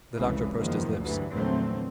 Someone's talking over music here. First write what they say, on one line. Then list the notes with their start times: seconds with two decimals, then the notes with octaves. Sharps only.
The doctor pursed his lips.
0.16 F1 C2 C#3 E3 G#3
0.56 F#1 E2 D#3 F3 A#3
1.01 D2 G2 E3 F#3
1.34 A#1 E2 D3 F#3 A3 C4